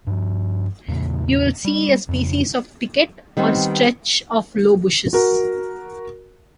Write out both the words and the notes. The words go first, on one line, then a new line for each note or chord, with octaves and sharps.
You will see a species of thicket, or stretch of low bushes.
G2 F3
E2 A#2 C#3 A#3
G3
F2 C#3
D#3 G3 B3 C4
F#4 A#4